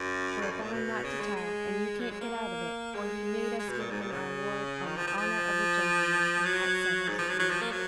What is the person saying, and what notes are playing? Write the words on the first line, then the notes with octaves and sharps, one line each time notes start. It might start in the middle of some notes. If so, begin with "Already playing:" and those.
"We're bound not to tell, and you can't get out of it, for he made us give him our word 'on the honour of a gentleman;' and that settles it, you know."
Already playing: F#2
F2
F#2
A#2
B2
C#3
G#3
G#3
F#3
G#3
A#3
G#3
G#3
B2
A#2
G#2
A#2
C#3
D#3
F3
F3
F3
F#3
G#2
F3
F#3
F#3
F3
A#3
F#3